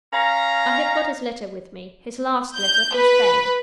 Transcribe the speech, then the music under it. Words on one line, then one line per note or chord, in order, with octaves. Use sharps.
I have got his letter with me--his last letter from Spain.
C#4 F5 A#5
G6
B4